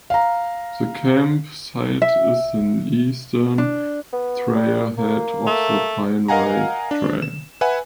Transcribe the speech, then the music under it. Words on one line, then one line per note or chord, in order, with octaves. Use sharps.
The camp site is the eastern trail head of the Pine Ridge Trail.
F5 A#5
E5
D4
B3
G3
A#3
A3
A#4 D#5 F5 F#5 G#5 A#5
D4
E7
B4 E5 F#5 G#5